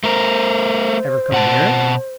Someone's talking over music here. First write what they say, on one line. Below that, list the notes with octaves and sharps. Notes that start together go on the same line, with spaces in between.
"Ever come near it?"
A3 A#4 C5
B2 F#5 A5